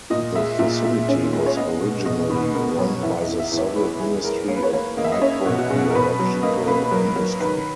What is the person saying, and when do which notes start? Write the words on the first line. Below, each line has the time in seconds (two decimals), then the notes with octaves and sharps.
The facility was originally run by the Soviet Ministry of Microbiological Industry.
0.10 A#2 D#5
0.35 G#3 E5
0.59 A#2 E5
0.84 A#2 E5
1.08 C#4
1.33 G#3
1.46 C#5
1.56 B3 D#5
1.81 B2
2.05 B2 D#5
2.30 B2 B4
2.54 B3 A#4
2.78 F#3 C#5
3.03 E2 E5
3.21 D#5
3.27 E2
3.39 E5
3.51 E2
3.57 C#5
3.76 G#3 B4
4.00 E2 G#4
4.24 G#3 A#4
4.48 A#3 C#5
4.56 B4
4.63 C#5
4.73 A#3 C#5
4.97 A#3 D#5
5.04 E5
5.12 D#5
5.21 C#4 C#5
5.46 B2 F#4
5.58 F#4
5.70 B2 G#4
5.89 A#4
5.95 B2 B4
6.19 F#3
6.43 A#3 D#5
6.67 A#3 B4
6.84 B4
6.91 F#3 A#4
7.16 F#3 A#4
7.40 D#3 B4